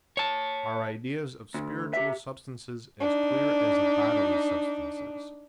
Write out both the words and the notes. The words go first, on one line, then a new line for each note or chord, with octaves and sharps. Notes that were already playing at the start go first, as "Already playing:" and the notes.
Our Ideas of spiritual Substances, as clear as of bodily Substances.
C#5 A5
D2
G4 E5
D4 D#4